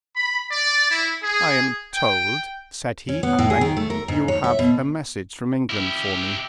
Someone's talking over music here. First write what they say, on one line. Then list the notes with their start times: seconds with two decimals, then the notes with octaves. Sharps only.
"I am told," said he, at length, "you have a message from England for me."
0.16 B5
0.52 D5
0.91 E4
1.23 G#4
1.94 G5
3.09 C#4
3.23 B3
3.38 A2
3.50 G#4
3.61 D#3
3.77 A3
3.90 A#4
4.08 G#2
4.28 C#5
4.44 E5
4.59 B2
5.70 E4 G4